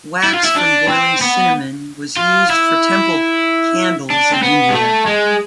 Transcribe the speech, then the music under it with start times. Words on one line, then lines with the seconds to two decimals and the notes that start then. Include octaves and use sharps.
Wax from boiling cinnamon was used for temple candles in India.
0.24 E4
0.34 F4
0.45 E4
0.57 D4
0.89 C4
1.21 B3
2.17 F4
2.50 E4
4.10 D4
4.33 C4
4.43 B3
4.70 G#3
4.75 A3
5.07 G#3